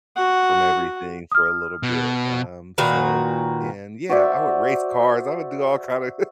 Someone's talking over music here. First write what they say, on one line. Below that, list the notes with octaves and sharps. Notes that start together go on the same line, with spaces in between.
from everything for a little bit, um, so and, yeah, I would race cars. I would do all kind of
F#4 F#5
D#6 F6
B2
A#2 D#3 F#4 B4
F#4 C5 D5 E5